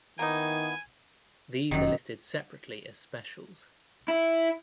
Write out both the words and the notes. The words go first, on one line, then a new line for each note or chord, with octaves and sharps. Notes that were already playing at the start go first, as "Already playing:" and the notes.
These are listed separately as specials.
D#3 A#3 B3 D#4 E4 G#5
F1 F#2 D#3
E4